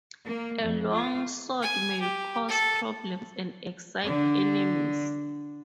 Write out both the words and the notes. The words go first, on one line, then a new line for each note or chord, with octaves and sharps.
A long sword may cause problems and excite enemies.
A#3
F2
F4
G#5
G4
A4
D3 D4